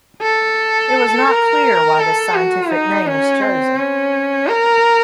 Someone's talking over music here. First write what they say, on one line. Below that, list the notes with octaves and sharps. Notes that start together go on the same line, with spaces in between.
It was not clear why this scientific name was chosen.
A4
A#4
A4
F#4
D#4
C#4
C4
C#4
A#4